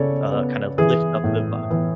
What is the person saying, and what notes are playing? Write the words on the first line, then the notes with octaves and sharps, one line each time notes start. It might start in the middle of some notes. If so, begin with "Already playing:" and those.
uh, kind of, lift up the vibe.
Already playing: C#3 A4 C#5 D5
B3
E3 G#4
A2
E3